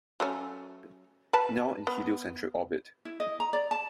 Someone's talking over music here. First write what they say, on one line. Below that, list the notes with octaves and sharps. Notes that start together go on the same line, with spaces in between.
Now in Heliocentric orbit.
F#3 A3 C#4
B4 A5
B3
E4
D#5
A#5
D5
A5